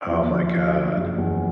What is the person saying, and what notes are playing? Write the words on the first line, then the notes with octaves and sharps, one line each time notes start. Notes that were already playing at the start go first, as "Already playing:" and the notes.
Oh my god.
F3
F3
F3
F3
F#1
E2